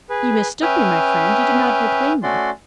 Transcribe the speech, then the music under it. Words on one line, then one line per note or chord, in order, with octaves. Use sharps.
"You mistook me, my friend; you did not hear plainly."
G#4 B4
C#4 B4 E5 G5 D#6 F6
A3 C#4 F#4 D5 C6